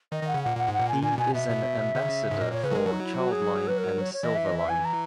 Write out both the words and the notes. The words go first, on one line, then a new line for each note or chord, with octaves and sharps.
He is an Ambassador for Childline and Silverline.
D#3 D#5
D#3 F#5
C#3
A#2 F#5
A#2 F#5
G#2
F#5
A#2
G#5
A#2 G#5
B2 G#5
B2 E5
B2
C#3
G#2
A#2 D#5
A#2 C#5
C#3 B4
F#3
G#3 A#4
F#3
D#4
E4
F#4
G#4
B4
A#4
C#5
C#5
E3 D#5
E5
D#5
E5
G#5
A#5